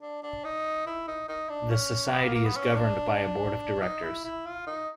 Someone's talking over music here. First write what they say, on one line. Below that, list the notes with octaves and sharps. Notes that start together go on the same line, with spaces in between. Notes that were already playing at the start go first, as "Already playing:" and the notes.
The Society is governed by a board of directors.
D4
D4
D#4
E4
D#4
D#4
D4
C#4
B3
A#3
A#3
B3
C#4
D4
D#4
E4
E4
F4
D#4